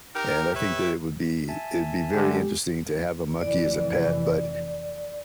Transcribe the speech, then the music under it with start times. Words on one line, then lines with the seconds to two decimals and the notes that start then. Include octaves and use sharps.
and I think that it would be it'd be very interesting to have a monkey as a pet, but
0.14 D#4 G4 A#4
0.53 G4 B4 C#5 E5
1.49 E5 G#5 A5
2.13 D3 G#3 G4
3.41 F1 E3 D5